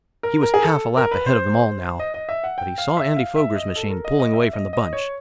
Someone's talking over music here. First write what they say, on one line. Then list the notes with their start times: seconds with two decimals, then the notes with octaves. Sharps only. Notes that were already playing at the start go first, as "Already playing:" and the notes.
He was half a lap ahead of them all now. But he saw Andy Foger's machine pulling away from the bunch.
0.23 A#4
0.43 A#4
0.54 G#4
0.63 A4
0.97 A#4
1.11 B4
1.26 C5
2.00 D#5
2.14 D#5
2.29 E5
2.44 F#5
2.58 G5
2.78 F5
2.97 E5
3.16 F5
3.36 E5
3.56 D#5
3.76 A4
3.90 A#4
4.05 D#5
4.20 D#5
4.34 E5
4.53 D#5
4.73 D#5
4.93 C#5